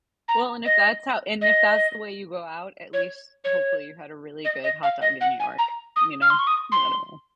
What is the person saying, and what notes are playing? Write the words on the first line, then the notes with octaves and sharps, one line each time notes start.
Well, and if that's how and if that's the way you go out, at least, hopefully, you had a really good hot dog in New York, you know? I don't know.
A#5
D#5
D#5
C#5
C#5
D#5
D#5
F5
D#5
F#5
G#5
A#5
D#6
F6
C6
C#6
D#6
C6